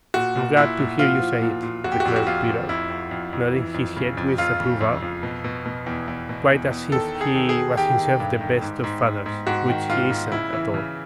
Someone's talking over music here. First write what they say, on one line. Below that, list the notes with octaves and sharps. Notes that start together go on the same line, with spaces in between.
"I'm glad to hear you say it," declared Peter, nodding his head with approval quite as if he was himself the best of fathers, which he isn't at all.
A#2 F#4
A#2
A#2 E4
A#2
F3 F4
F3
A#2
A#2
F2 F#4
G4
F#4
F2 G4
F#4
F2 F4
F2
F2 E4
F2
F2
F2
E3
F2
C#3
F2
F2 F4
C#3
F2
F2
B2
B2
B2
E2
E2
B2
E2
E2
D#3 A4
D#3
G#4
D#3
G#4
D#3
D#3 G4
D#3
G2
D#3
G#2
G#2
G#2
G#2
G#2 F#4
D#3
G#2 F4
G#2
C#3 E4
E3
C#3